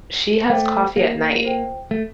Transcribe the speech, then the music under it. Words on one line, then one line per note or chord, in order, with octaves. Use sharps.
she has coffee at night,
A3 C5 E5 G5 D6
A#3
F4 C5 G5
A3